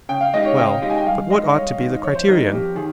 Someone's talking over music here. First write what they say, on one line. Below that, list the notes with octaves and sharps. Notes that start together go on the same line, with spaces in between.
Well, but what ought to be the criterion?
C#3 G5
F5
G#3 D#4 G4 D#5
C#5
C#3 G5
G#3 D#4 G4
G#5
G5
G2 F5
D#3 G#3 D#5
G2 C#5
D#3 G#3
F2 C#5
C5
D#3 G3 A#3 D#4 A#4
F2 G4
D#3 G#4